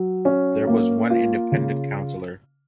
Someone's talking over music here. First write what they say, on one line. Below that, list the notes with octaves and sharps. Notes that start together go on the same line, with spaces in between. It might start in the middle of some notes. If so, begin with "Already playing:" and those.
There was one independent councillor.
Already playing: F#3
C#4
A#3
F4
C#3